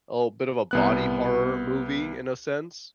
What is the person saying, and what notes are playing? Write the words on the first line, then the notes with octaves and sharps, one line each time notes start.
a little bit of a body horror movie in a sense.
C2 B3 F#6